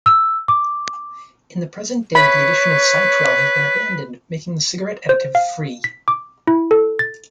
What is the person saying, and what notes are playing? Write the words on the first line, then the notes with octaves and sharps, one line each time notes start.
In present day the addition of Cytrel has been abandoned, making the cigarette additive-free.
E6
D6
B4 C#5 B5
C5
F5
B6
D6
E4
A4
A6